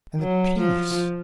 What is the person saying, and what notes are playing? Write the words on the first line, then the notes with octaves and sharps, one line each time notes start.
And the peace!
F#3
F3